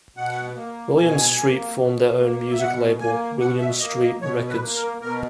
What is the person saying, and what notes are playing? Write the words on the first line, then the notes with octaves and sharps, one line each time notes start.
Williams Street formed their own music label, Williams Street Records.
B2 F#5
A#3
B2 G#5
A#3
B2
A#3
E5
B2 F#5
A#3 G#5
B2 F#5
E5
A#3 D#5
D#5
B2 C#5
B4
A#3
A#4
B2 A#4